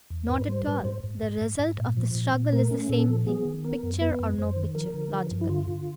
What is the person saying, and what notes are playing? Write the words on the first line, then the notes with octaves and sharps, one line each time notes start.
"Not at all: the result of the struggle is the same thing--picture or no picture--logically."
E2
G#2 B4
G3 C5
G#2 B4
G#2 C5
G#2
G#2
G#2
G#2
A#2
F3
A#2
A#2
A3 A#4
C#4
A#2 A4
F3
B3 G#4
D#3
B3 A#4
F#2
B3 B4
F#2
F#2 C5
D#3
F3 A#4
D3
F3
G2
E4
D3 F4
D3